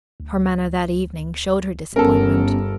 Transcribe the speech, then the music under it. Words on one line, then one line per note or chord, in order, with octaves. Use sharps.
Her manner that evening showed her disappointment.
D2
G1 B3 C#4 A4 A#4